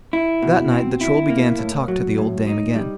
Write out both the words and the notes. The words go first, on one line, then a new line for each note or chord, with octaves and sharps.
That night the Troll began to talk to the old dame again.
E4
B2
C4
E4
A#3
A2
F#3
A2
D#4
G3